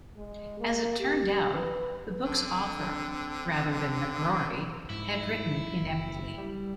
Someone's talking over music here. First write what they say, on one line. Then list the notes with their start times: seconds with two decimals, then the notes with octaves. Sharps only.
As it turned out, the book's author, rather than McGrory, had written ineptly.
0.17 G#3
0.60 A#3
0.99 G4
1.54 B4
2.25 D3 C4 D4
4.90 G#2 E4
5.81 F#1
6.37 G3